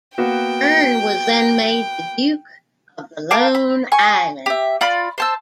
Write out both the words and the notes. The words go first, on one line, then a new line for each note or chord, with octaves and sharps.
Bern was then made the Duke of the Lone Islands.
A#3 B3 F#4 G5
A#4 F5 A5 D6
B5
G#5 C#6
G4 E5
F4 D5 B5
C5 A5 E6